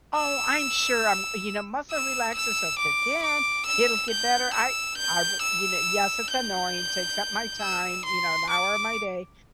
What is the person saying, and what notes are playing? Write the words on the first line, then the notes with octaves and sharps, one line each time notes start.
"Oh, I'm sure I'm" you know, "muscle relaxers will kick in. It'll get better." I I b you know, yes, it's annoying, takes up my time, you know, an hour of my day,
E6
E6
E6
D6
D6
E6
G6
E6
G6
E6
G6
E6
C6
D6